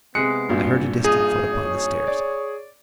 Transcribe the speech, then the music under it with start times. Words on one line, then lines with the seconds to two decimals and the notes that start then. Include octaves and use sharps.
I heard a distant foot upon the stairs.
0.15 C3 G#3 B3 G#4 F#6 C#7
0.49 G#1 G2 A#2
1.04 D#4 F4 G#4
1.54 C#5
2.07 D5